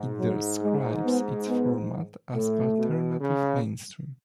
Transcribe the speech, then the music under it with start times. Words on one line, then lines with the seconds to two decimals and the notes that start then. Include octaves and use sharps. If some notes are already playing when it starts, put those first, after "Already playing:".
It describes its format as "alternative mainstream".
Already playing: G#2
0.19 F#3
0.63 G#3
1.05 B3
1.48 B3
2.34 A2 A3
2.78 B2
3.21 C#3